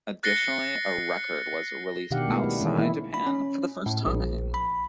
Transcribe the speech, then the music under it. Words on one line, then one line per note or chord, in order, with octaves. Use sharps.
Additionally, a record was released outside Japan for the first time.
F#6 A6 A#6 C7 C#7 G7
B2 D#3 D4 G4 F5 F#5
G#3 A3 B3 E4
G3
D#3 E3 G#3 C#4
E3 A#3 E4
B5
C#4
A2
A#1
B5